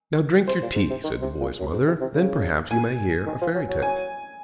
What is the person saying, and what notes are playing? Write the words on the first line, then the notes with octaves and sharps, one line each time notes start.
"Now drink your tea," said the boy's mother; "then, perhaps, you may hear a fairy tale."
C3 C5
A#2
G#2
C3
D#3
C3
A#2
F#2
G#2
C3
C3
C#3
G#5
D#3
F3
F#3
F#3
G#5